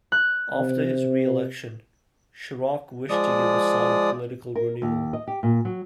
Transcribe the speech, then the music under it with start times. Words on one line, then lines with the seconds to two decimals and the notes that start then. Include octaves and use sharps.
After his re-election, Chirac wished to give a sign of political renewal.
0.12 F#6
0.55 C3
3.10 F3 G#3 D5 D#6
4.55 A#4
4.82 D#2
5.13 D#5
5.27 G4
5.43 A#2
5.65 F#3